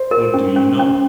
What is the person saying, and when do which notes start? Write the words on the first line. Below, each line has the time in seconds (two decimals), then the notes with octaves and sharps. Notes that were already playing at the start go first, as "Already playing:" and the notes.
"What do you know?"
Already playing: C5
0.11 A#4
0.34 C#4
0.56 C#4
0.79 C#4